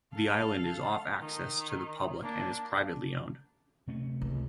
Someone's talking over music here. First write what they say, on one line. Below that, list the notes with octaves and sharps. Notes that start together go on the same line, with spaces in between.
The island is off access to the public and is privately owned.
A4 F5
D#3
A#3 D4
C3 A3 C#4
C#2